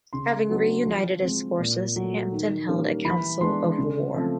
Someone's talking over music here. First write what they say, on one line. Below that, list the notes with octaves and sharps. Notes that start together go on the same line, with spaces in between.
Having reunited his forces, Hampton held a council of war.
C#3 C6
F#3 B3 D4
F3
G#3 C4
A#2
F#3 A3
D#3
G3 A#3 C#4
E3 B5
G#3 B3 D4 C6
C#3
F3 A3 C4